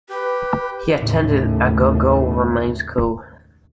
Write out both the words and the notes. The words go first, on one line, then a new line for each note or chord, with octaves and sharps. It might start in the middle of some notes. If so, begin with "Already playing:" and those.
He attended Agogo Roman School.
G4 B4
G#1 D#2 A2 C#3 A3